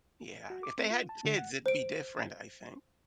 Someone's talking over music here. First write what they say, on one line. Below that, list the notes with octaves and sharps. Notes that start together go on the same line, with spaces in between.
Yeah. If they had kids, it'd be different, I think.
F#4
D6
C4
F4
A5
D3
F#5
C5 D7